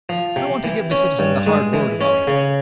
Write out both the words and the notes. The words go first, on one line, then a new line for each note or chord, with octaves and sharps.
I want to give the citizen the hard word about it.
F3
C3
E3
C#4
G2
G#3
E3
C#4
C#3